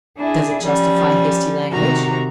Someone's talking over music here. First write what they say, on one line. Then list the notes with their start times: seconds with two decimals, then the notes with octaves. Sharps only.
Does it justify hasty language?
0.17 D4 E4 G#4
0.62 F3 G3 C#4
1.72 C3 D#3 F#4 G4 A#5